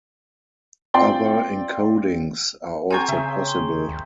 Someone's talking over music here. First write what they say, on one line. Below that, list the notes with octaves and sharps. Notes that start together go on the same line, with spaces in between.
Other encodings are also possible.
C4 F4 D5 G5 C6
C4 F#4 G#4 G5 G#5 A#5 C#6
C#3 E5
C6
D#2